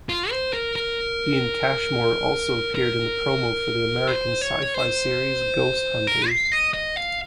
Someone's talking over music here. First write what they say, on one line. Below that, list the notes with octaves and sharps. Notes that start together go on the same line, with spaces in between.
Ian Cashmore also appeared in the promo for the American Syfy series "Ghost Hunters".
F4
C5
A#4
A#4
A#4
C5
C#5
C5
A#4
F5
D#5
D#5
F5